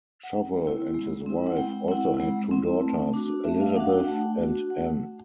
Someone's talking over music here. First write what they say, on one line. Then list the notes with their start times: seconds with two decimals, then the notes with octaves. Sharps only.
Shovell and his wife also had two daughters: Elizabeth and Anne.
0.24 F#5
0.31 G#3 G5
0.64 C4 E4
0.95 G#3
1.26 C4 E4
1.47 F#5
1.57 G#3 G5
1.88 C4 E4 F#5
2.20 G#3
2.51 C4 E4
2.83 A3
3.14 D4 F#4
3.45 A3 E5
3.61 F5
3.76 D4 F#4 F#5
3.92 G5
4.07 A3 F#5
4.39 D4 F#4
4.70 A3 F#5